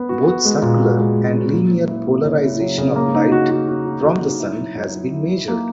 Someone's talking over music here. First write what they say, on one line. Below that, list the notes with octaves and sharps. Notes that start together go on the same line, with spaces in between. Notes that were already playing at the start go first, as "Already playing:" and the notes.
Both circular and linear polarization of light from the Sun has been measured.
Already playing: B3
F#4
F#4
G#3
A#2
F#4
G#3
G#3
C#4
A#3
F#3
E4
A#3
C#3
E4
F#3
C#3
A#3
D#4
F#4
F#4
F#4
F#4
F#4
D#4
E4
F#3
F#3
F#3
E4
E4
A#3